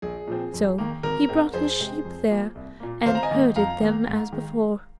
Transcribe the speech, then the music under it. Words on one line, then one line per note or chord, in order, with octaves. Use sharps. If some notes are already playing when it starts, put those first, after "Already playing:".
So he brought his sheep there, and herded them as before.
A#1 G#4
A#2 F3 C4
F2
D#3 A#3
G#1 A#4
G#2 G#3 C4
F2 G#4 C5
C3 G#3 C4
F2
F3 A#3
C2
A#2 A#3
G#1 C5 F5
A#5
D#5 G#5
G#2 D#3 A#3
F2 F5 A#5
D#3 A#3
G#2
D#3 G#3